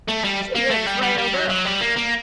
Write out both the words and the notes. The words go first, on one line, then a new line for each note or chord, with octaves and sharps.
She is a frail girl.
A3
G3
A#3
A3
G3
G3
G3
F#3
F#3
G3
A#3
A#3